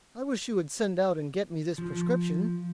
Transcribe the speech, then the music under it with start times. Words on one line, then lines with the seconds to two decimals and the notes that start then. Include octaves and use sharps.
"I wish you would send out and get me this prescription."
1.78 F3